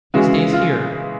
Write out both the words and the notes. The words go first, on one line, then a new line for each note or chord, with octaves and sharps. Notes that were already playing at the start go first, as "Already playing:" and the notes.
He stays here.
C#3 E3 G#3 F#4
F4